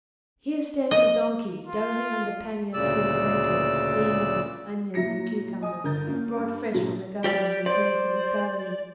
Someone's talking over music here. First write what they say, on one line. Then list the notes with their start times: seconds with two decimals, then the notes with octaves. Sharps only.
Here stands a donkey, dozing under panniers full of lentils, beans, onions, and cucumbers, brought fresh from the gardens and terraces of Galilee.
0.91 D#5
1.67 F4
2.74 D2 A#2 C#3 D5 E6
4.94 A#2 F#3 E4 A#6 C#7
5.61 D#5 G#5 D#6
5.83 G1 D3 A#4 G6 A6
6.07 A#3 C#4
6.37 G2
6.74 A#1 F#3 G#4
7.24 G4 D5
7.66 C5 D5